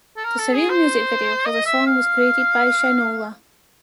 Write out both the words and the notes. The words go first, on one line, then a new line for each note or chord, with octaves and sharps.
The surreal music video for the song was created by Shynola.
A4
A#4
A4
G#4
C5
D#5
E5
F5